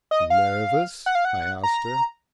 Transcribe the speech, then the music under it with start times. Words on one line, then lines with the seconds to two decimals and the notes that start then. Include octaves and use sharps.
"Nervous?" I asked her.
0.11 D#5
0.30 F5
1.06 F#5
1.15 F5
1.25 F#5
1.63 A#5